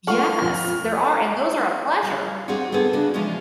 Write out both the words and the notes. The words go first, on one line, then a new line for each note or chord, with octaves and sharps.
Yes, there are, and those are a pleasure.
F4 A4 F#5 C#6 F6 F#7
F2
G3 F4
G3 C4 D#4 F#4 G#4 C#5
B3 C4 G#4 A4
C#3 D4 F#4
E3 F3 G#3 C#4 G#4